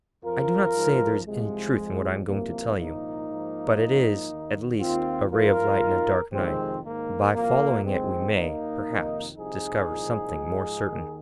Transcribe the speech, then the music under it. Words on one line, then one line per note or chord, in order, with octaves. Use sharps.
"I do not say there is any truth in what I am going to tell you, but it is, at least, a ray of light in a dark night; by following it we may, perhaps, discover something more certain."
F2 F3 F4 A#4
G#2 F3
C2 C3 F3 G#3
F2 F3
C2 C3 F3 A#3
C2 A#2 F3 A#3 D#4
G#2 F3
G#2 F3
D#2 D#3
D#2 D#3 C4 F4
G#2 F3 F4 A#4
D#2 D#3
F2 C3 D#3 G#3 C4
G#2 D#3 A#3
C2 A#2 F3 A#3
F2 D#3 G#3 C4
D#2 D#3 A#3 D#4
F2 C3 D#3
C2 C3 F3 D#4 G#4
C2 A#2 F3
G#2 F3
D#2 D#3